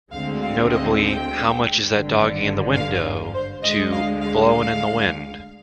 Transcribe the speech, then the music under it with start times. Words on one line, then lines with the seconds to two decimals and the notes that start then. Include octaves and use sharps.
Notably "How much is that Doggy in the Window", to "Blowin' in the Wind".
0.12 D2 D3 G#3 C4 F5
0.42 F5
0.71 D#5
1.00 G5
1.87 G#1 G2 D3
2.75 F5
3.34 C5
3.62 D2 D3 G#3 D#5
3.92 F5
4.21 F5
4.50 F5